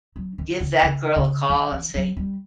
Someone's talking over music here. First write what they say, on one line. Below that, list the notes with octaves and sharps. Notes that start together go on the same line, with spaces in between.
give that girl a call and say,
F#3
D#3
C#3
C#3
C#3
D#3
E3
F#3
G3